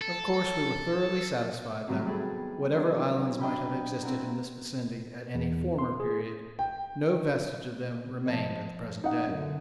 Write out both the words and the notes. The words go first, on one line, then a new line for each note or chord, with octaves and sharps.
Of course we were thoroughly satisfied that, whatever islands might have existed in this vicinity at any former period, no vestige of them remained at the present day.
A4
A2 C3 D#3 F#3 G3
G3 B3 G#4 A4
F#3 D4 C5
F#3 E4
D4 D#5 F#5 G5 A#5 B5
C4 E4 A#4 F#5 A#5
E2
C6
G#4
G5
F3 D#5 A5
D#4 F#5
F#2 D3